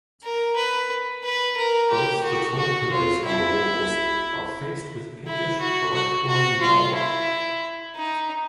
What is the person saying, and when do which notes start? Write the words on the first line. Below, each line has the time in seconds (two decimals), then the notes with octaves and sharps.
Both the tall pillars and walls are faced with pinkish Oraktuoy marble.
0.23 A#4
0.56 B4
1.23 B4
1.57 A#4
1.91 G4
2.24 F#4
2.58 F#4
2.92 F4
3.25 E4
5.27 E4
5.61 F#4
5.95 F#4
6.28 F#4
6.61 F4
6.95 E4
7.95 D#4